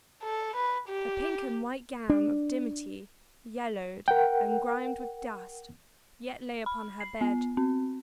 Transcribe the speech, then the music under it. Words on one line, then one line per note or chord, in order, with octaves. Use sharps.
A pink and white gown of dimity, yellowed, and grimed with dust, yet lay upon her bed.
A4
B4
G4
D4
A#4 F#5 G5
B5
C7
B3
C4